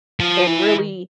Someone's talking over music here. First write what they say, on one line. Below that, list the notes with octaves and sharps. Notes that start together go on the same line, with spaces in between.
and really,
F3
E3